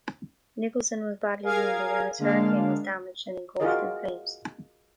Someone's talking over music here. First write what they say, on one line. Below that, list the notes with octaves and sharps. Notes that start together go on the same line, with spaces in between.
Nicolson was badly wounded, and his Hurricane was damaged and engulfed in flames.
G#4 A#4 F5 G#5 A#5 G#6
D3 G#3 A#3 D4 F5
F4 F#4 G#4 A#4 D5 D#5